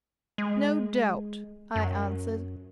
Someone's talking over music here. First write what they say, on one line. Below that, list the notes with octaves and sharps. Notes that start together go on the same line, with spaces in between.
'No doubt,' I answered.
G#3
F#2